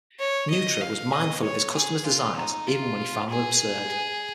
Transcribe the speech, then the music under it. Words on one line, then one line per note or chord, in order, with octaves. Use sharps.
Neutra was mindful of his customer's desires even when he found them absurd.
C#5
D#5
F5
D#5
C#5
G#4
F4
D#4
F4
G#4